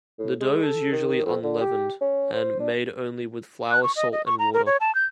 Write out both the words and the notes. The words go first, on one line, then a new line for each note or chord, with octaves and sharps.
The dough is usually unleavened, and made only with flour, salt and water.
A2
G#3
A4
D#3
F2
D3
G4
C#4
C5
D4
F#6
C#6
D#5
D#5
C#6
A#5
A#4
C#5
A5
G6